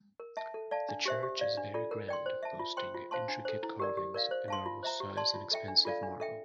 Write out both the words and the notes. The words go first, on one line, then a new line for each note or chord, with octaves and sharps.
The church is very grand boasting intricate carvings, enormous size, and expensive marble.
A#4
E5 A5
A4
D5 F5 A5
D4
G4 C5 E5
G4
D5 F5
D4
F4 A4 D5
A#4
D5 G5 C6
C5
E5 A5
F4
C5 G5 C6
F4
C5 F5 A5 C6
D4
A4 C5
E4
G4 A#4 D5
G4
A#4 D5 F5
C5
F5 A5 C6
F4
C5 E5 A#5
G4
D5 A5 C6
F4
A4 E5 G5
D4
F4 A4 D5 F5
D4
A4 E5 G5